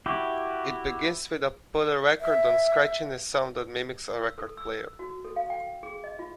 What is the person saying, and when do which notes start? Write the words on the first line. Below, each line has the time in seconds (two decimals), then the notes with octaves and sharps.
It begins with a "put-a-record-on scratchiness" sound that mimics a record player.
0.06 E4 F#4 G4
2.20 E5
4.19 E6
4.38 A4
4.57 E6
4.99 F#4
5.25 A4
5.36 F5
5.50 G5
5.83 G#4
6.04 D#5
6.19 F4